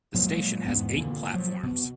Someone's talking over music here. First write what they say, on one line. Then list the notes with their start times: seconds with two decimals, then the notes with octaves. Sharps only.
The station has eight platforms.
0.14 A#2 F3 F#3 G#3
0.65 E2 G#2 B3
0.97 A#2 D3
1.34 F3 F#3
1.63 B2